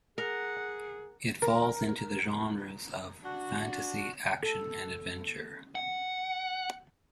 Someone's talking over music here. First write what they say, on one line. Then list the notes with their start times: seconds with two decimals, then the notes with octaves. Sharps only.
It falls into the genres of fantasy, action and adventure.
0.18 G#4 A#4 F#5
1.42 A#4
3.23 D4 F#4
4.43 A4
5.75 F#5